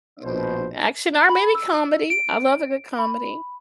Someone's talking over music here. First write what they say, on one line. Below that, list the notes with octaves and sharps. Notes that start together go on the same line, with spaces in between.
Mm, action or maybe comedy, I love a good comedy.
A#1 B2 C5
B5
E6
D7
B5